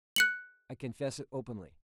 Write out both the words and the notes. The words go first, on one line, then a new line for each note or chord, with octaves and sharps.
I confess it openly.
F#6 C#7 F#7